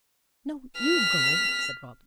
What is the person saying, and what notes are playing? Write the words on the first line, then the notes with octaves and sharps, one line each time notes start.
"No, you go," said Robin.
F6 B6